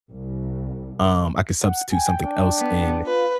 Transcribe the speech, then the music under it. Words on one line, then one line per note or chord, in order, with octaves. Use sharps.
um I could substitute something else in."
C2
F#5
G5 G#5
D4
B3
F4 B4